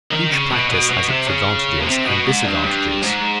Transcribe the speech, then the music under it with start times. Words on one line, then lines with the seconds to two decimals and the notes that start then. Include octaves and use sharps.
Each practice has its advantages and disadvantages.
0.11 D#3
0.30 C#3
0.50 B2
0.69 B2
0.89 B2
1.08 C3
1.27 C#3
1.80 B2
1.86 C3
2.05 B2
2.24 G#2
2.44 G2
2.64 G2
3.03 G#2